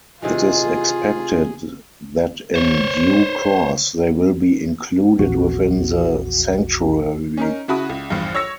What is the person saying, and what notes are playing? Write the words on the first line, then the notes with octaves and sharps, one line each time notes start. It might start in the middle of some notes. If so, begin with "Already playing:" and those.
It is expected that in due course they will be included within the sanctuary.
C3 D#3 E3 F4 G#4
C5 C#5
A#1 E2 F#4
C#4 D#4 A#4
C#3 E4 F#4 A5 B5 D#6
C#2
A#1 E2 G2
C#5 E6 A#6 C#7